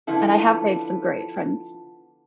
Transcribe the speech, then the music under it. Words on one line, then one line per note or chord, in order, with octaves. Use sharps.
And I have made some great friends.
D3 F3 B3 E4 A4